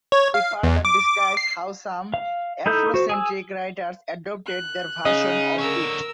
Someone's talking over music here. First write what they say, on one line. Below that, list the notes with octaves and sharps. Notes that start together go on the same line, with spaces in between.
He further describes how some Afrocentric writers adopted 'their version' of it.
C#5
F5
E2
D6
C7
F5
D#4 E4 A4 G6
F#4 C5
G#4 G#5 E6
F#6
C#3 D#4 D#5
D3 A#4 C#5 E6